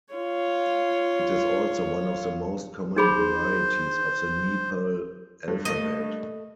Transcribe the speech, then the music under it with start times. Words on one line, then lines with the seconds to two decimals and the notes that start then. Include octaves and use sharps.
It is also one of the most common varieties of the Nepal alphabet.
0.13 F4 C#5
2.96 D#4 G#4 C5 B5
5.48 G2
5.65 A3 A#3 D#5